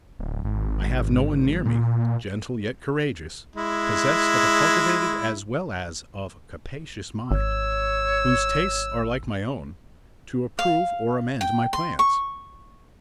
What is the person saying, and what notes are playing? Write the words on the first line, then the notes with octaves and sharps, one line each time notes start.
I have no one near me, gentle yet courageous, possessed of a cultivated as well as of a capacious mind, whose tastes are like my own, to approve or amend my plans.
D1
G#1
A#2
G#3 E4
G#1 C#5 E6
F5
G5
C6
C#6